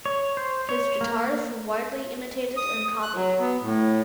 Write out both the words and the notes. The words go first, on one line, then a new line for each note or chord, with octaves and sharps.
His guitars were widely imitated and copied.
C#5
C5
C#5
A#3
D#6
F#6
F#3
B3
A2